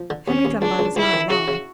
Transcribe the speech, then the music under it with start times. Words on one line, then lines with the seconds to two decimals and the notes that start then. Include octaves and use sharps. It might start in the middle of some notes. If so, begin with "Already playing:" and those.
Henry Dunbar was not alone.
Already playing: F3
0.10 D3
0.27 D#2 C#4
0.45 D#2
0.61 C#2 D4
0.79 C#2
0.96 C#2 E4
1.13 D#3
1.30 C#3 F#4
1.48 C#3